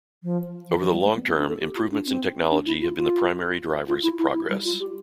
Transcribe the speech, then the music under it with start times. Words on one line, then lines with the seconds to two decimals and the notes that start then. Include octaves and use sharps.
Over the long term, improvements in technology have been the primary drivers of progress.
0.23 F3
0.69 E3
0.80 F3
0.92 G3
1.03 A3
1.15 B3
1.26 B3
1.38 D4
1.48 A4
1.60 G4
1.76 F4
1.91 D4
2.07 C4
2.51 D4
2.66 E4
2.82 F4
2.97 F4
3.88 F4
4.03 E4
4.19 E4
4.34 E4
4.49 G3
4.65 F4
4.80 G4